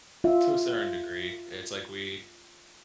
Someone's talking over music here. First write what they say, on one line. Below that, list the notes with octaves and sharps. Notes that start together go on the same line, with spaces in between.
To a certain degree, it's like we
F4 E5